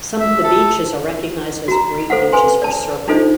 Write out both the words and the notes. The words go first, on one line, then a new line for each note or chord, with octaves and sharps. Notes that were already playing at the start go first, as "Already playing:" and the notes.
Some of the beaches are recognized as great beaches for surfing.
E5
A4
F#4 A#5
A4 C5 F5 F#5
A4 B4 G#5 C6
D5 A5
D4 D#4 F4 A4 C5 D#5